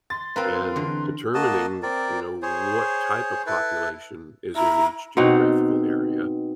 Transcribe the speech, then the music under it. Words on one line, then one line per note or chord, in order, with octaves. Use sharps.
and determining, you know, w what type of population is in each geographical area,
C6 A6
C4 F4 A#4 B4
E2 D3
A#3 F#4 D#5 A5
C4 A#4 D5
G#4 C5 C#5
E4 A4 B4
E4 A#5
B2 C4 D#4 F#5